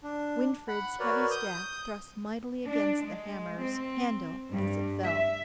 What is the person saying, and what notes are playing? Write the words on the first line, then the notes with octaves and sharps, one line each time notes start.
Winfried's heavy staff thrust mightily against the hammer's handle as it fell.
D4
F#5 B5
F#4 A#4 B4 C#5 D5
D#6 G6
D4
G#3
C4
G2
E5